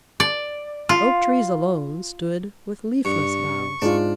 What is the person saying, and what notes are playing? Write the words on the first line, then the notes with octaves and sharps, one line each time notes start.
The Oak Trees alone stood with leafless boughs.
D5
F4
G2 C#6
G#2 D4 F4